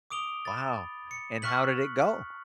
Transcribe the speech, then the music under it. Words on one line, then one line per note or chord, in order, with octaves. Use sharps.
Wow. And how did it go?
D6 D#6 D7 F7 G7
B5 A6
C#7
C#6 F6 F#6 B6 F#7